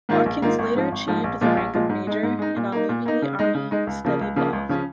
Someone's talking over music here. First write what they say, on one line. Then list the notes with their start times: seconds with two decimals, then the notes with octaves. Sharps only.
Watkins later achieved the rank of major, and on leaving the Army, studied law.
0.09 G#2 D#3 A#3 F4
0.26 A#1
0.42 G#2 D#3 A#3 F4
0.59 G#1
0.75 G#2 F3
0.92 G#1
1.08 G#2 F3
1.24 A#1
1.41 A#2 F3 G#3 F4
1.57 A#1
1.74 A#2 F3 G#3 F4
1.89 G#2
2.07 G#3 D#4
2.23 G#2
2.39 G#3 D#4
2.56 A#2
2.72 A#3 D#4
2.89 A#2
3.05 A#3 D#4
3.22 C#3
3.39 G#3 D#4
3.54 C#3
3.71 G#3 D#4
3.87 C#2
4.05 C#3 F3 A#3
4.21 C#2
4.36 C#3 F3 A#3
4.53 C#2
4.69 C#3 F3 C#4